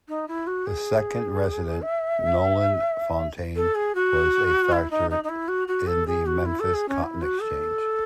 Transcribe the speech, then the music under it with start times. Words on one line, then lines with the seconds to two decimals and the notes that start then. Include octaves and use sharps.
The second resident, Noland Fontaine, was a factor in the Memphis Cotton Exchange.
0.08 D#4
0.28 E4
0.47 F#4
0.67 G#4
1.82 E5
3.56 A4
3.75 G#4
3.95 F#4
4.72 E4
4.91 D#4
5.10 D#4
5.24 D#4
5.29 E4
5.48 F#4
5.68 F#4
5.87 A4
6.07 G#4
6.26 F#4
6.45 E4
6.60 A4
6.74 G#4
6.88 C#4
7.03 E4
7.22 F#4
7.41 A4